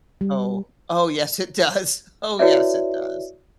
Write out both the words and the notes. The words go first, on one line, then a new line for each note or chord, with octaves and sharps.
"Oh, oh yes it does. Oh yes, it does."
G3
E4 F#4 B4 C#5 D5 E5